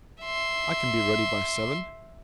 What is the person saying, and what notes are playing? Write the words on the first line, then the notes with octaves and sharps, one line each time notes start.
I can be ready by seven.
E5 C6